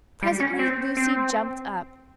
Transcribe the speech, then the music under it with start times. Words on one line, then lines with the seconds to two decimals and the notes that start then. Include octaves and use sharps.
Presently Lucy jumped up.
0.23 G3
0.40 C#4
0.59 C4
0.97 C4